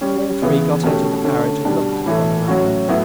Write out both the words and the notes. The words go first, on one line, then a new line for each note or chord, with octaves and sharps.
All three got out of the carriage and looked at one another.
G3 C#4 G4
C#3 E3 B3
B2 A3 C#4 G4
D3 A3 C#4
B2 G3 D4
A2 E3 A3
A2 F#3 C#4 F#4
A2 F#3 B3 E4